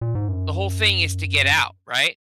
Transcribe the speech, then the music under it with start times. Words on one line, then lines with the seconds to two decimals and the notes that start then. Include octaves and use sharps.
the whole thing is to get out, right?
0.01 A#2
0.15 G#2
0.28 F#2